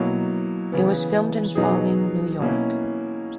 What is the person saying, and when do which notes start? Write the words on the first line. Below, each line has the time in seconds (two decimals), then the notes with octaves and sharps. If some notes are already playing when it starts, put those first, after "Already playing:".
It was filmed in Pawling, New York.
Already playing: B2 F#3 A#3 E4
0.72 C#3 E3 B3
1.55 B2 F#3 B3 D#4 G#4
2.40 B2 A#3 C#4 E4